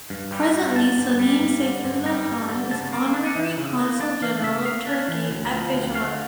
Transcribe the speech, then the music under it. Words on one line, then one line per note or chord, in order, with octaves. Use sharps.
Presently Salim Saifullah khan is Honorary Consul General of Turkey, at Peshawar.
G2
G3
A#5
G2
D3 A5
G2
G3
G2
D3
G2
G3 A#5
G2
D3
C#3 A5
A#3
D4
E3
C#3
A#3
D4 A5
E3 F5
C#3 E5
A#3 F5
D4
E3
D2
F3
D2
D3 F5